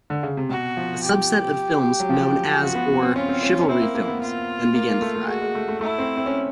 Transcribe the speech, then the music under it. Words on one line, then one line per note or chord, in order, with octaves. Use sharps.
A subset of films known as or "chivalry films" then began to thrive.
D3
C#3
C3
B2 F#4
F3
G4
F#3
F3
F3 F#4
B3
C4
C#4 F4
C4
C#4
C#4
C4 E4
A#3
A#3
B3
F4
A#3
A#3
A3
A3
G#3 F#4
G#3
A3
A3
A3 E4
C4
C4
C#4